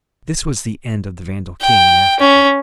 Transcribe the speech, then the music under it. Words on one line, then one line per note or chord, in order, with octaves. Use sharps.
This was the end of the Vandal king in Africa.
G5
C#4